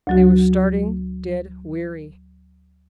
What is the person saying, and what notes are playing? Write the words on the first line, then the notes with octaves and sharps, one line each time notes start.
They were starting dead weary.
D2 F#3 F#4